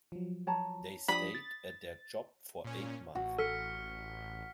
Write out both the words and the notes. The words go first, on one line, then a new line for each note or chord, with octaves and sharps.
They stayed at their job for eight months.
F3 F#3
C#5 A5 A#5
F3 D4 G4 B5 D#6
A6
A#2 C#4
A1 F#4
A4 F6 B6 C#7